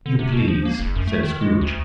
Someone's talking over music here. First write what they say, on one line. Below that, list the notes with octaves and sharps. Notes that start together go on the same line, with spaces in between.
"If you please," said Scrooge.
D3
C3
B2
F3
A#3
F#1
F#2
A3
D#3
G#3
D2